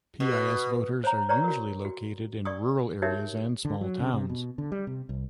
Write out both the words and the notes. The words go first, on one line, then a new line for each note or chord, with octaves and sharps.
PiS voters are usually located in rural areas and small towns.
B2
C5 C#5 A#5
B4 C#5 D5 A#5 C#6
F#4 A#4
F#4
D5 C#6 D#6
D#4 F#4 G4 A#4 C#5 E5
D3
F#3
C#3
C3
B2
D3
G3
C3
C2